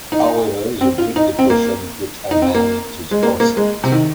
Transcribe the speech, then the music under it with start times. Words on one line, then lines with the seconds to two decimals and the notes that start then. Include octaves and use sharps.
However, the Great Depression put an end to the concept.
0.12 D#4
0.81 C4
0.98 F4
1.16 D#4
1.39 C4
1.50 A#3
2.31 D#4
2.42 C4
2.55 A#3
3.11 G#3
3.23 A#3
3.40 A#3
3.57 G#3
3.84 C3
3.92 D#3